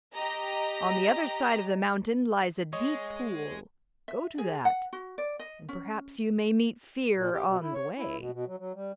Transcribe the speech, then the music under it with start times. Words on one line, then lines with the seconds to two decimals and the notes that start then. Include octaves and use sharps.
'On the other side of the mountain lies a deep pool; go to that, and perhaps you may meet fear on the way.'
0.13 G4 D#5 A#5
2.73 G#3 C#5 D#5
4.08 E5
4.38 G#4
4.65 F#5
4.93 F#4
5.18 D5
5.39 D#5
5.69 C#4
7.16 A#2
7.33 G4
7.47 B2
7.61 E4
7.74 C#5
7.98 E4
8.18 B2
8.33 B2
8.47 F#3
8.59 F#3
8.74 G3